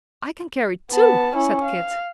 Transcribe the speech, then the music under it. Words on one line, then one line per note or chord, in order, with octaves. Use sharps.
"I can carry two," said Kit.
B3 A5
C#4 E4
F5